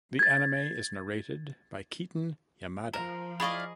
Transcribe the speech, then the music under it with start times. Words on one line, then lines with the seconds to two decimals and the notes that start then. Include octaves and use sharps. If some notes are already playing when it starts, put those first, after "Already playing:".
The anime is narrated by Keaton Yamada.
0.19 G#6 A6
2.94 F3 A#4 A#5
3.40 E4 G#4 D5 D#5 F5 B5 C#6